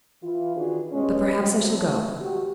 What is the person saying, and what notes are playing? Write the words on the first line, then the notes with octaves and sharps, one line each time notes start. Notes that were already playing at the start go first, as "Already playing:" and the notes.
But perhaps I shall go.
E3 F4
D#3 D4 F4 F#4 G#4 B4
G2 B2 G#3 C#4
C#3 F#3 C4
E3 A3
F#4 G4